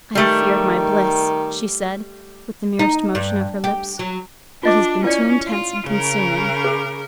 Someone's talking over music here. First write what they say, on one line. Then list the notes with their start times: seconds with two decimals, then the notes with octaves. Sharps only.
"I have feared my bliss," she said, with the merest motion of her lips. "It has been too intense and consuming."
0.15 D#3 G3 A3
2.79 D#4
3.15 G2
3.64 G4
3.99 F#3
4.63 D4 F4 D#5 D6
5.04 C#4 E4 D5
5.47 F4
5.87 C#3 A#4
6.64 G#4